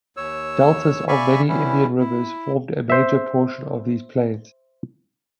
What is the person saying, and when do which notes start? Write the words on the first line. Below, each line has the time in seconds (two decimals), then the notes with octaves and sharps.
Deltas of many of India's rivers form a major portion of these plains.
0.17 D#2 C#5 E6
1.08 D5 E5 F5 G#5 B5 C#6
1.48 E3 G3 B3 C#4 E4
1.99 E4
2.90 C5 E5